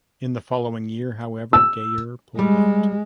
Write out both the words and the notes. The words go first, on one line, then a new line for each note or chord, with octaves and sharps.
In the following year, however, Gaier pulled out.
E6
G3 G#3